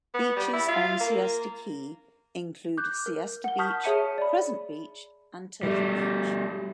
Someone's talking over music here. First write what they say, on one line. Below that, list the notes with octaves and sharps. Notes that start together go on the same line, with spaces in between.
Beaches on Siesta Key include Siesta Beach, Crescent Beach, and Turtle Beach.
B3
G3
E4
F4
A#3
D6 F#6 G6
A#4
F#5 G7
A5 C#6 D#6 F6 G6 B6
G#4 C#5 E5 A5 C#7 D#7
D5 B5
G3 A3